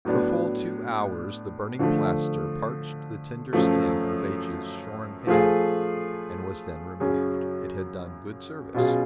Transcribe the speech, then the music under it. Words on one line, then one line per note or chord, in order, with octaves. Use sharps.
For full two hours the burning plaster parched the tender skin of H--'s shorn head, and was then removed; it had done good service.
A2 F#3 B3 D4
D3 F3 A3
F#2 F3 A3
F3 A3 F4 G#4
F#2 C#3 F#3 C#4 G#4
B2 F#3 C#4 F4 G#4